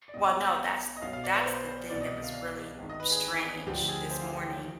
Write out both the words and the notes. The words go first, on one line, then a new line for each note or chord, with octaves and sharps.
Well, no that's that's the thing that was really strange this morning,
D5
B1 B2 D#5
D#5
B1 B2 F5
F5
D5
B4
C5
C5
C2 B2 D5
D#5
D#5
F5
F5
G#1 G#2 D#3
D#5
B4
G#4
D2 D3 F3 G4
G#4
C5
F5
G5
F3